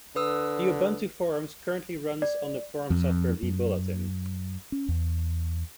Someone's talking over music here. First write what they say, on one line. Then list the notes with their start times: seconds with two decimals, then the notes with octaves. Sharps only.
The Ubuntu Forums currently runs on the forum software vBulletin.
0.16 D3 B4 D#6 E6
2.22 D5
2.90 F2
3.43 F#2
4.72 C#4
4.88 E2